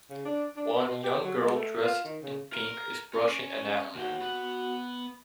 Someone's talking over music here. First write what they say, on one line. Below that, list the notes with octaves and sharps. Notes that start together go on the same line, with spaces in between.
One young girl dressed in pink is brushing an animal.
C#3
D4
D4
B3
B2
G4
F#3
G#3
A3
F4
D#3
C#3
A#4
C#4
D#2 F#4 G4
B3